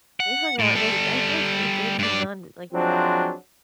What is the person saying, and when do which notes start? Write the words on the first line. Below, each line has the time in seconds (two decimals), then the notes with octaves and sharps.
They hung out, they I feel like they did hang on, like,
0.20 F#5
0.59 A2
0.75 G3 A4
1.99 G2 D5
2.73 F3 F#3 G#3 C4 D4